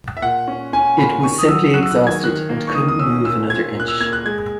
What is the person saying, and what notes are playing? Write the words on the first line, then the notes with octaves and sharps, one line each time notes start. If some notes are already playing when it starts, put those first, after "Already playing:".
It was simply exhausted and couldn't move another inch.
E5
A#2 F#5
C#4
C#4 G#5
A#2 B5
D#3 C#6
D#6
F#3 E6
F#3 F#6
E6
F#6
D#3
G#6
D#3 F#6
A#3
C#6
D#3 D#6
D#6
C#4 E6
A#2 E6
A#2 G#6
A#2 F#6
E6
A#3 G#6
F#6
G#3 G#6